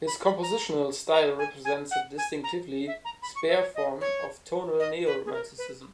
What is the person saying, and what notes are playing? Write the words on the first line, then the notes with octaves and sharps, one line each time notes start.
His compositional style represents a distinctively spare form of tonal neo-Romanticism.
B5
B5
A#5
A#5
G#5
G#5
F#5
G#5
A#5
E5
A#5
B5
C#6
E5
C#5
D#5
C#5
D#5
B4
G#4
A#4
B4